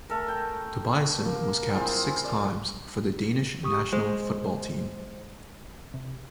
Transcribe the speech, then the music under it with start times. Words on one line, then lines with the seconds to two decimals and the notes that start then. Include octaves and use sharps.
Tobiasen was capped six times for the Danish national football team.
0.09 A3 A4 A#4
0.28 G5
1.25 A#3
1.73 C4 E4 F4 G#4
2.24 D5 F5
3.63 G4 C#6 D#6
3.93 G#3 C5
5.94 C3